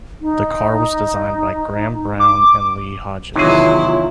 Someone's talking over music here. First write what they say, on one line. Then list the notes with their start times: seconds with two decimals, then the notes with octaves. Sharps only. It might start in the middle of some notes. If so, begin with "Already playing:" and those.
The car was designed by Graham Browne and Lee Hodgetts.
0.21 D#4
2.20 D6
3.36 E2 C3 D#3 F#3 E4 F4 G#4 C#5